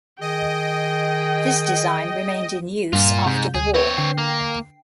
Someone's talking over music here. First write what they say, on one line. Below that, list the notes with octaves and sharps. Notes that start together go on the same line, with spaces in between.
This design remained in use after the war.
D#3 G#4 D#5 G5
G2 A#2 F4
G#2 C3 G6
D2 G#4
C4 B4 C#5
D3 G5 C7
A#3